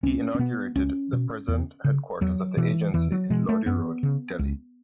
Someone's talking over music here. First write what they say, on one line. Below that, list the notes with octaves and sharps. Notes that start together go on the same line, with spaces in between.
He inaugurated the present headquarters of the agency in Lodhi Road, Delhi.
C#2 C#4
C#4
B2 B3
C#2 C#4
B2
E2
C#3
E2 F#3
B2 E3
E2 E3
F#3
B2 G#3
A3
F#2 B3
C#3
C#2